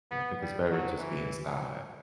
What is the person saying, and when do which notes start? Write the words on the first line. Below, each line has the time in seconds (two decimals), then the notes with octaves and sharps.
Yeah, I think it's better just being inside.
0.11 B3
0.40 G3
0.70 F#3
0.98 E3
1.57 F#3